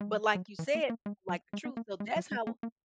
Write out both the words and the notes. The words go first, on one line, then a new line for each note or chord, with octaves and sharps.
But like you said, like, the truth so, that's how
G#3
F#3
F#3
E3
A#3
A#3
G#3
F#3
G#3
B3
A#3
G#3
F#3
G#3
A#3
A#3